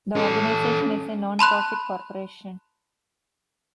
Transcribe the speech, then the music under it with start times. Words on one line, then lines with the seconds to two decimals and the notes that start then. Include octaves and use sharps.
The organization is a non-profit corporation.
0.15 C#4 A4
1.39 A5 B5 C6 F#6